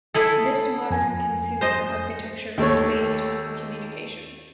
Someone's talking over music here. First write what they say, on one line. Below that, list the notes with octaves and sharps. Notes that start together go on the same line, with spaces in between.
This modern consumer architecture was based on communication.
E4 G#4 A4
F2 G#5
C5 D#5
D#2 A3 C#5